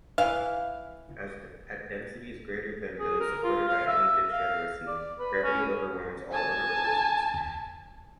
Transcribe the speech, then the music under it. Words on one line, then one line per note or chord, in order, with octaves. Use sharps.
At densities greater than those supported by any degeneracy, gravity overwhelms all other forces.
E3 F5
G#4
A#4
F4
F5
E5
F5
D5
B4
C#4
G#5 A5